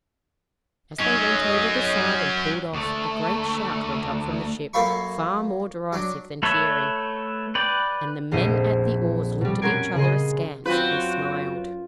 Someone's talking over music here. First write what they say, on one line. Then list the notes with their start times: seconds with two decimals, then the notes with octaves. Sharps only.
As they went over the side and pulled off, a great shout went up from the ship far more derisive than cheering, and the men at the oars looked at each other askance and smiled.
0.99 B1 F#3 C#4 D#5
2.73 D2 A3
4.73 F#2 A#3 A4 F5 B5 C#6
5.93 F#3 D4
6.43 A3 A4 B4 C#5 E5
7.55 B4 D5 G5
8.31 F1 A#1 C5 D#5 D#6
9.41 B2 G3
9.62 C#4 F#4 A#4 C6 G#6 D7
9.95 C#3 G#4 D#5 C6
10.66 F#2 C4 F4 F#4 B4